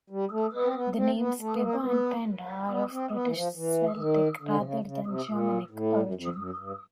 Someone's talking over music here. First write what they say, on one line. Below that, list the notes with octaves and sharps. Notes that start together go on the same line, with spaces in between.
The names Pybba and Penda are of British Celtic, rather than Germanic, origin.
G3
A3
B3
C4
B3
C4
B3
A3
B3
A#3
B3
B3
C4
B3
E3
F3
E3
E3
D#3
D3
C3
C#3
C#3
C3
A#2
A2
F#2
F2
F#2
G2